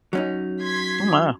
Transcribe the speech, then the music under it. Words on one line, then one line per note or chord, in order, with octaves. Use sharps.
Oh my.
F#3 C#4 D#4
C6 G#6 B6